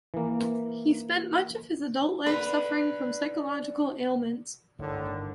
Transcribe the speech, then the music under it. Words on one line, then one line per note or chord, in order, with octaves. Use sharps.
He spent much of his adult life suffering from psychological ailments.
E3 A#3
D3 B4
G1 A2 D3 D#3